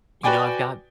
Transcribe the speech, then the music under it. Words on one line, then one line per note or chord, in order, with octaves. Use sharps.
you know, I've got
F#4 B4 D5 G5 G#5 D6